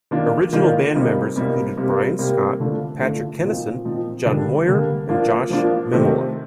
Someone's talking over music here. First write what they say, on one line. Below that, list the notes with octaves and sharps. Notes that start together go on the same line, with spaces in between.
Original band members included Bryan Scott, Patrick Kennison, John Moyer and Josh Memolo.
D#3 A#3 D4 F4
D#3 A#3 D4 F4
C3 G3 A#3 D#4
C3 G3 A#3 D#4
C3 G3 A#3
C3 G3 A#3
D3 A3 D4 F4
D3 A3 D4 F4
A#2 F3 C4 D#4
A#2 F3 C4 D#4
D3 G3 A#3
D3 G3 A#3
F3 A#3 D4 F4
F3 A#3 D4 F4
C3 D#3 A3 C4